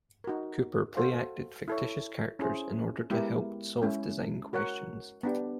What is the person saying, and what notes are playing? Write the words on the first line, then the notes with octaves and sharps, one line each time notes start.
Cooper play-acted fictitious characters in order to help solve design questions.
D#4 F#4 A#4
F#4 A4 C5 F5
E4 A4 C#5
C#4 E4 G#4 C5
G#3 B3 E4 G4 A#4
G#3 C#4 E4
F#4 A#4 C#5 F#5
B3 D4 G4